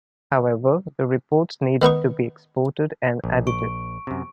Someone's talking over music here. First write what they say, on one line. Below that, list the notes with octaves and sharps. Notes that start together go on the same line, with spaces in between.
However, the reports need to be exported and edited.
D#3 B3 D#4 C#6
A#1
C#6 D7
F#2 C3